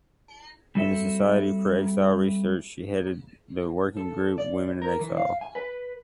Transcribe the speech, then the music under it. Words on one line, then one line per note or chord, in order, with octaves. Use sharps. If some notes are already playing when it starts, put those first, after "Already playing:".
In the "Society for Exile Research" she headed the working group "Women in Exile".
G3 C4 F#4 A4 E5
A4
D5
A#4
E3
F5
G#5
B4